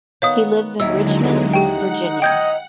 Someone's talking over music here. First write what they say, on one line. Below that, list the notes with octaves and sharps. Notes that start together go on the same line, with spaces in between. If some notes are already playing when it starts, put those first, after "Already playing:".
He lives in Richmond, Virginia.
D#3 B3 C#5 F5 F#5 D#6
D#2 D3 F#3 G#3 D#4 E4 E6
G4 F#5 G5
D#4 E4 D#5 G5 G6 G#6